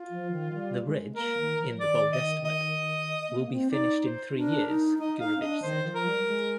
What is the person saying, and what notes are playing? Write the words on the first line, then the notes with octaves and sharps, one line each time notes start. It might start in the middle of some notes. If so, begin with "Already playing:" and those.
"The bridge, in the bold estimate, will be finished in three years," Gurevich said.
Already playing: F4
F3
D#3
G3
G#3
A#3 A#4
D#3
F3
D#3 D5
D#5
D#5
A#3
C4
D#4 D5
C5
D#4
D4 A#4
D#4
D#4 D#5
D#4 F5
C4
D4 D#5
D#3 C5
F3
A#4
G3
G3
G#3